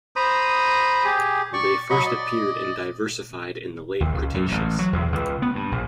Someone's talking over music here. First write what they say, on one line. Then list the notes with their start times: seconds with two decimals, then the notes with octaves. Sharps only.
They first appeared and diversified in the Late Cretaceous.
0.16 C5 A#5 B5 D#6
1.04 G4 G#4
1.53 D5 C#6
1.90 F#3 D#5 B5 C#6
2.05 D5 D#5
4.00 D#2
4.14 C#2
4.34 F#2
4.51 A1
4.79 F#3
4.93 E2
5.12 C#2
5.42 B3
5.55 G2
5.72 A#1